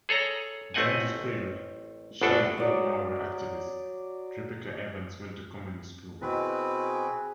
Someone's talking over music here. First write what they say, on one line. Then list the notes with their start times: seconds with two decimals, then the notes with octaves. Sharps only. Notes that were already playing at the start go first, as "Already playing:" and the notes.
During this period she and fellow Maori activist Ripeka Evans went to Communist Cuba.
0.09 G#4 A4 C#5 A#5
0.74 A1 A3 C4 D#5 F#5 G#5
2.21 G1 D2 B2 D4 A4
2.58 F#3 D5 D#6
6.22 B2 C4 E4 F#4 G#4 B4 D#5